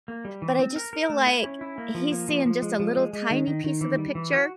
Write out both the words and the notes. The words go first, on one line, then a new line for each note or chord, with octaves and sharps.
but I just feel like, he's seeing just a little, tiny piece of the picture,
A#3
G3
E3
C4
A#4
A#4
A3
E4
C#4
E4
A#3
F3
A#3
F3
F3
G#3
F3
G#3
G#3
D#3
D#3
D#3
E3
G3
E3
F#4